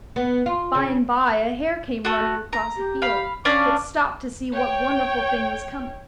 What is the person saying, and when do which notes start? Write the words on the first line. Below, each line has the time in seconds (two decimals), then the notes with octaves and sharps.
By-and-by a hare came running across a field, but stopped to see what wonderful thing was coming.
0.16 B3
0.46 F4
0.75 C#3
2.05 A3 F#4
2.53 A#5
2.77 G4
3.02 F5 B5
3.45 C#4 D4 F5 D6
4.52 C#5 G5